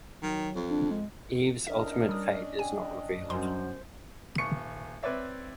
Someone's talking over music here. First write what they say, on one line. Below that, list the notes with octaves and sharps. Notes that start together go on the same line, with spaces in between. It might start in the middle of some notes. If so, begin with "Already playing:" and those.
Eve's ultimate fate is not revealed.
D#3 F#3
F2
D4
G#3
C#4 D4 A#4 D#5 E5
G3 D#6
G5 G#5
F#2 C5 C6
D#1 C#6 C#7
C4 B4 C#5 D5 E5